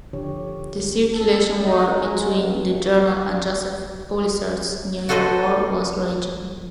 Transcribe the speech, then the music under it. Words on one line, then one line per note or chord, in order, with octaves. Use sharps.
The circulation war between the "Journal" and Joseph Pulitzer's "New York World" was raging.
D3 F3 G4 C#5
A4
D#4
G#3
C#2
F#4 A4 B4 C5 D#5